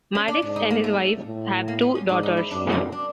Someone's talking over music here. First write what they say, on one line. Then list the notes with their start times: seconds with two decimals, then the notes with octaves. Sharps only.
Maddux and his wife have two daughters.
0.15 C#4
0.28 D4
0.42 G#2 D4
0.56 D#4
0.70 A#3
0.84 A3
1.26 A2
1.68 A#3
1.81 B3
1.95 C#4
2.09 G#2 D4
2.23 D#4
2.37 E4
2.51 F#2 D4
2.72 C4
2.92 D4